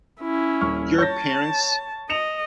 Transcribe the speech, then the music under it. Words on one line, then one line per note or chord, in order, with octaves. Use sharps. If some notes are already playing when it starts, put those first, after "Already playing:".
your parents
C#4 E4
D#1 C#6 F6
C#5 A5 G6 A#6
D#5 C#7 E7 F7